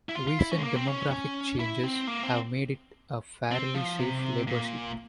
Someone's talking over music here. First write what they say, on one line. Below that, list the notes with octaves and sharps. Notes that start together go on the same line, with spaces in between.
Recent demographic changes have made it a fairly safe Labor seat.
E4
F4
F4
E4
C#4
G#3
A#3
C4
C#4
C#4
E4
C4
A#3
C4
C4
F3
C3
A#2